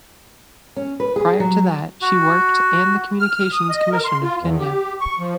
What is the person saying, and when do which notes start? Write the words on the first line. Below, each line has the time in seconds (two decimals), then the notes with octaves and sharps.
Prior to that she worked and the Communications Commission of Kenya.
0.76 C#4
1.00 B4
1.16 G#4
1.40 F#3
2.02 F#4
3.20 F6
3.52 D#6
3.70 D#5
3.91 A#4
4.04 C6
4.23 F4
4.41 E2
4.60 G4
5.00 C#6
5.19 F3